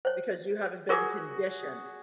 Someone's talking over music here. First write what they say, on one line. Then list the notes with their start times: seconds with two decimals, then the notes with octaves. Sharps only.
because you haven't been conditioned.
0.05 C5 C#5
0.89 F4 F#4 G#4 A#4 D6